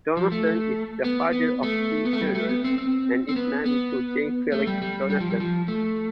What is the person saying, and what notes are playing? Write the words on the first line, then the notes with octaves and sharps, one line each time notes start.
Donaldson is the father of three children and is married to Jane Phillips Donaldson.
F3
A3
B3
B3
A3
B3
A3
G3
A3
B3
C4
C4
C4
B3
B3
A3
G3
G3
G3
F3
G3
F3
A3